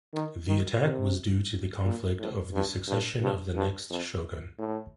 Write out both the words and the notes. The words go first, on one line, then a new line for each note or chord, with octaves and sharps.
The attack was due to the conflict of the succession of the next Shogun.
D#3
D#3
C3
A#2
A2
G2
G2
G2
G2
F2
A2